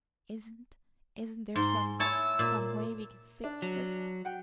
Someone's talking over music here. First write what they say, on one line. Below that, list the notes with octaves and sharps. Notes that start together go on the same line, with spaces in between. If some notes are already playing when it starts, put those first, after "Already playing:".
"Isn't--isn't there some--some way we can fix this?"
G#2 C6
E4 C#5 A5 E6
A#2
D4
F#3
F#5 G5